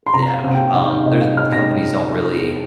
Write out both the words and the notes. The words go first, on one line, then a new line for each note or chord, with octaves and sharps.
yeah, um, there companies don't really
C6
C3 A#5
F5
C3
F5
G5
D#4 F5
F5
C3 D#5
F5
D#4 F6
A#6